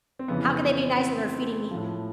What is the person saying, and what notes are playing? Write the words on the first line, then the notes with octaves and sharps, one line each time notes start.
How can they be nice when they're feeding me
C4
F2 C#3 E3 B3
C4
A2 F3